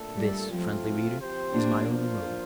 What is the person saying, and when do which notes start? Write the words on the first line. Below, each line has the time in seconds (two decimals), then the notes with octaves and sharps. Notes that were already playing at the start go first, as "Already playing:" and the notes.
This, friendly reader, is my only motive.
Already playing: A#2 A3 D4 A4
0.16 G3
0.50 F3 A3 C4 F4
1.19 F3 C4 G4 C5
1.53 A#3 D4
1.88 F3 A#3 D4 F4 C5